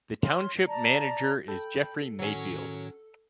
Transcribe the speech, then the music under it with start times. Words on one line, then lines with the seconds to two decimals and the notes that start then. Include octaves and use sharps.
The Township Manager is Jeffrey Mayfield.
0.22 C#5 C6 F6
0.66 D5 A5 A#5
1.48 A4 G5 B5 G6
2.19 A2 D#3 F#3 C#4